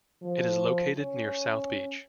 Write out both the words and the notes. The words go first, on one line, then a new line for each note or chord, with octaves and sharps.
It is located near South Beach.
F3
C#4